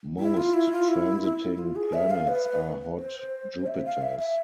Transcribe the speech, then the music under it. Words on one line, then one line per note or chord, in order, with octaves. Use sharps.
Most transiting planets are hot Jupiters.
E4
F4
E4
F4
E4
E4
F4
G#4
E5
F5
B4
C5
E5
F5
E5
E5